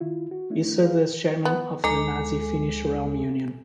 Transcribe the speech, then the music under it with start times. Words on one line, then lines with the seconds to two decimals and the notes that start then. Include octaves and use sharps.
He served as chairman of the nazi Finnish Realm Union.
0.01 D#3 E4 F4
0.31 F#4
0.50 A3 D4 E4
0.83 G#4 B4 F5
1.45 B3
1.84 D2 G#3 D#4 A4 G#5